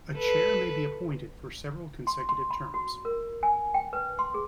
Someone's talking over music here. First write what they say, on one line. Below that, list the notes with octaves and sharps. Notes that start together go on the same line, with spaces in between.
A chair may be appointed for several consecutive terms.
A4 B4
C6
C6
B5
F#4
A#4
G#5
G5
B4
C6
G#4